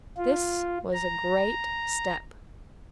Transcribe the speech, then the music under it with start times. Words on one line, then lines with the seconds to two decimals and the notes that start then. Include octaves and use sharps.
This was a great step.
0.17 F4
0.93 A#5